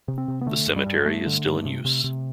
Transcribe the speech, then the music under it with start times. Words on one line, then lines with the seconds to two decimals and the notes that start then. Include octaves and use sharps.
The cemetery is still in use.
0.08 C3
0.18 C4
0.28 C3
0.41 B3
0.47 D3 A3
0.67 G2
0.76 G3
0.86 G2
1.05 G2 A3
1.26 D3
1.46 G2
1.65 C3
1.85 C3
2.04 C3